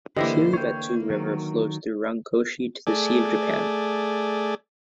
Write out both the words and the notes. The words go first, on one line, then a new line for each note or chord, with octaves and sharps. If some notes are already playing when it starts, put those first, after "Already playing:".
Shiribetsu River flows through Rankoshi to the Sea of Japan.
D3 E3 A#3 E4 G4 C5 D#5
A#3 C#5 G5
D#3 F#3
A3 G#4 D5